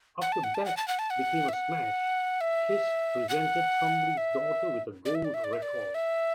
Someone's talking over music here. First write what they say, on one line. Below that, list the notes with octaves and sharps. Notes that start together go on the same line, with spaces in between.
After "Beth" became a smash, Kiss presented Trombley's daughter with a gold record.
F#5
A5
F#5
A5
F#5
A5
F#5
A5
F#5
E5
F#5
E5
F#5
E5
D5
E5
D5
E5
D5
E5
D5
E5